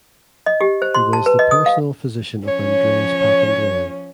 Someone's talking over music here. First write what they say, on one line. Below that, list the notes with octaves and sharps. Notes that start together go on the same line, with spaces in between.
He was the personal physician of Andreas Papandreou.
D#5
G4
C5
C6
A5
B4
D#5
D#6
F5
F3 C#4 C#5